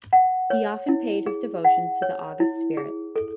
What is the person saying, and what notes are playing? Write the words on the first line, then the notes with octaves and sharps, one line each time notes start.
He often paid his devotions to the august spirit.
F#5
C#5
E4
G#4
F#5
C#5
E4
G#4
A4